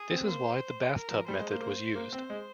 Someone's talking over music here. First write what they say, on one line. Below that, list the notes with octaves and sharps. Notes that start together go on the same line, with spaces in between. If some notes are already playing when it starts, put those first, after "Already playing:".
This is why the Bathtub method was used.
Already playing: G#4
C4
A#3 C5
A#4
F3
G3 C5
G#3
A#3
A#3
A#3
C4
G#3